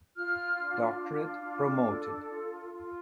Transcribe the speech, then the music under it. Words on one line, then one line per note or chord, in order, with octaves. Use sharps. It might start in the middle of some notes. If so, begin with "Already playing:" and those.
Doctorate promoted.
F4 F6
D4
F4
D4
A4
F4
F4